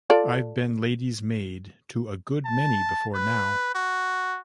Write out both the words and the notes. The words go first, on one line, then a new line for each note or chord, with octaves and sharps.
I've been lady's maid to a good many before now.
F4 A4 D5
A5
B4
F#4